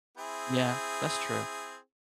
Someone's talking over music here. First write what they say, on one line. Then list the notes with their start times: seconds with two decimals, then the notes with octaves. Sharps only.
Yeah, that's true
0.18 C4 E4 G#4